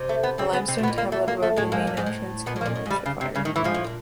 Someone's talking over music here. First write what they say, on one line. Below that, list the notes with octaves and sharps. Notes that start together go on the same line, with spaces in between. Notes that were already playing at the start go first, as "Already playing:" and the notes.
A limestone tablet above the main entrance commemorates the fire.
Already playing: C3
A3
B3
C#3 C4
B3
C3 C4
B2
B3
A#2
A#3
A3
A#3
A3
A2 G#3
G#2 A#3
G2
G#2
A2
A#2 B3
A2
A#3
A#2
A2
G#2
G3
G2
C#3
C3
G2 C#3
A2 D#3
A2 E3
G#2 F3
A2
A#2